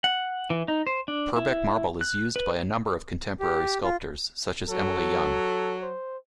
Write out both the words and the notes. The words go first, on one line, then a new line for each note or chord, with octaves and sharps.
Purbeck Marble is used by a number of contemporary sculptors, such as Emily Young.
F#5
E3
D#4
C5
D4
E4
F#6
B4
G4
F4
F#3 A4
C5